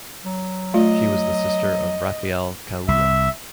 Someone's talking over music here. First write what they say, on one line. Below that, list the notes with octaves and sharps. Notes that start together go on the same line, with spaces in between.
She was the sister of Raphael Kaulla.
F#3
A3 F4 D5 D#5
C2 E5